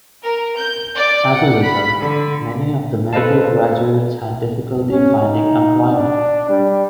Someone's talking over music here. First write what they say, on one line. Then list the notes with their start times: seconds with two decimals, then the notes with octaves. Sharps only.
As a result, many of the medical graduates had difficulty finding employment.
0.24 A#4
0.57 G6
0.96 D5
1.32 F#5
1.64 B5
2.00 D3
3.13 A4 B4 C5 D#5 F5 A5
4.90 C#4
5.20 D#4
5.91 D4
6.49 G3